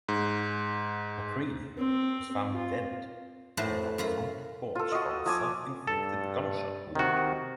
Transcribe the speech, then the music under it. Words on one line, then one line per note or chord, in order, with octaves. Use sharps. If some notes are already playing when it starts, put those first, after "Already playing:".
McCready was found dead on her front porch from a self-inflicted gunshot wound.
G#2
C4
F4
A2 F#4 B4 C5 A5
F#2 F4 A#5 B5
F4 A4
F#4 D#5
F3 G#5 D6
G2 A4
C3 D#3 F#4